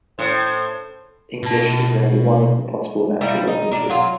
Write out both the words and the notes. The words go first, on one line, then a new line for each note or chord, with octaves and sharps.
English is only one of the possible natural languages.
A2 C5
B2 A5
G3 A#3 E4
D#4
D4 A#4
F#3 F4